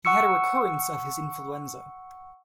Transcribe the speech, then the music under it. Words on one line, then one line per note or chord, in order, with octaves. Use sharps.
He had a recurrence of his influenza.
F#5 C#6 E6 C#7